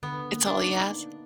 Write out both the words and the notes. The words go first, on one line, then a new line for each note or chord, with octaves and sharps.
It's all he has.
D3 B3
A#3
D4
D#4